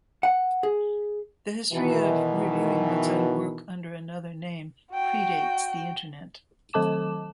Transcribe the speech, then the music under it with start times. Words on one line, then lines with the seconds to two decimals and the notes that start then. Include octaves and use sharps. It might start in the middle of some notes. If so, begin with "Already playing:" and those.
The history of reviewing one's own work under another name predates the Internet.
0.23 F#5
0.63 G#4
1.72 B2 D#3 E3
4.93 F#4 G5
6.73 D#3 F#3 A4 A5 D6 E7